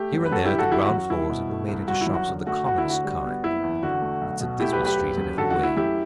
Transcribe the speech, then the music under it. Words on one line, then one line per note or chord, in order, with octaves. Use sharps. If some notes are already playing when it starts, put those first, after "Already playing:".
Here and there the ground floors have been made into shops of the commonest kind; it's a dismal street in every way.
Already playing: A3 G4
F#2
B4
F#2 F#4 A4
E4 G4
D3
F#4 A4
F#3 E4 G4
F#4
F#2
F#4
C2 E4
B2
A3
C2
G1 F#4
E4
F#2
F#4
D3
A3 F#4
D2 F#4
E4
D3
F#4
G3
B3
F#1 E4
E2
D3 F#4
A3
B1
B2
A3 E4 G4
G4 B4
B1
G4 B4
F#1
F#2
D3 F#4 A4
F#4
A3
E4
F#2 E4 G4